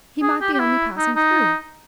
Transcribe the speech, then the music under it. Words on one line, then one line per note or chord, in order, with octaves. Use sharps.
He might be only passing through.
G#4
G4
G4
E4
D#4
D#4